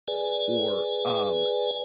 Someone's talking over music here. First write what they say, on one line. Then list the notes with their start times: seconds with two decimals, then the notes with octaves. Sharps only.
or, um,
0.08 G#4 B4 D5 G#5